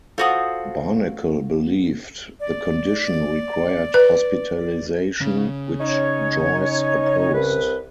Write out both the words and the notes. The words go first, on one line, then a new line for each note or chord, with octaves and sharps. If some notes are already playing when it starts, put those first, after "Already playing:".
Barnacle believed the condition required hospitalisation, which Joyce opposed.
F4 F#4 A4 C5 D#6
D5
B4
C#3
C#4 D#4 C#5
C2 B4